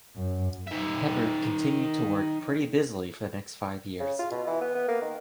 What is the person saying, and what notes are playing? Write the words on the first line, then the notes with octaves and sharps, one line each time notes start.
Hebert continued to work pretty busily for the next five years.
F#2
D#3 E5
C#3
F4
B2
E3
B3
B3
A#3
D#3